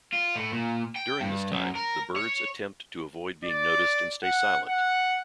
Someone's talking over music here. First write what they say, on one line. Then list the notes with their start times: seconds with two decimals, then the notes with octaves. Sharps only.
During this time, the birds attempt to avoid being noticed and stay silent.
0.13 F4
0.36 A2
0.53 A#2
0.96 G5
1.20 G2
1.52 F#2
1.76 A#4
2.16 C#5
3.45 D5
4.23 F#5
4.68 F#5